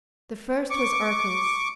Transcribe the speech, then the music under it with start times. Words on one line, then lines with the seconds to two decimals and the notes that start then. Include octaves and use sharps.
The first was Arcas.
0.71 C#6 D6